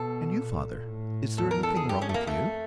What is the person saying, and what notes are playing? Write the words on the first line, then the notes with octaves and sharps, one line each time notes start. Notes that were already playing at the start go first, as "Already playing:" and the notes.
"And you, father--is there anything wrong with you?"
Already playing: B2 A4
A#2
A2
E2 A4
A#4
A4
G#4
F2 G4
C#4
A3
A#3
A3